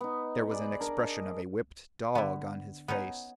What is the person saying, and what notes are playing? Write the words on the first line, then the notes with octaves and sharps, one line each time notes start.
There was an expression of a whipped dog on his face.
B3 D#4
G#4 D5 B5
D4 A#4
D#5
D3 B3
B3 C#4 D#4